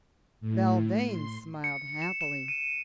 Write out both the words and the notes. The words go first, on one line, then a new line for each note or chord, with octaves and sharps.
Belvane smiled happily.
A2
C6
C#7
E7
E7
D#7